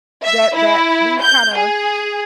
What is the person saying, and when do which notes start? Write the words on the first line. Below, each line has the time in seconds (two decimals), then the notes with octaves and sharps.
that that we kinda
0.23 E5
0.55 E4
1.22 G6
1.55 G#4